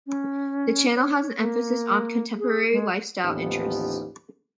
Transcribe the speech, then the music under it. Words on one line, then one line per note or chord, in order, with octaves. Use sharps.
The channel has an emphasis on contemporary lifestyle interests.
C#4
C#5
A#3
G#4
G#3
A1 D#2 F3 B3 D#4 G4